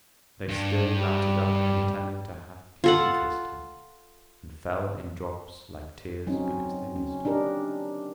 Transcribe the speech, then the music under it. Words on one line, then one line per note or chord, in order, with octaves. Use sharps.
"They still mounted up intending to have kiss'd him. And fell in drops like tears because they missed him."
G2 D4
G3
F4 A4 F#5
F#3 C4 C#4 D#4
C#4
D4 D#4 G4 A#4